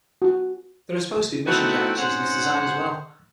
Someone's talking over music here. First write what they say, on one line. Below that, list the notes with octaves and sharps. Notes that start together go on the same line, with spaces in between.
There are supposed to be mission jackets using this design as well.
F#4
A3 B3 C4 D#4 E4 F#4
G#2 C#4 C5 F#5